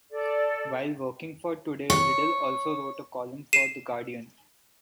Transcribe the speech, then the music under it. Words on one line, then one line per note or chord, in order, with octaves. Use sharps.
While working for "Today", Liddle also wrote a column for "The Guardian".
A4 D5
C#5
C7 D#7 E7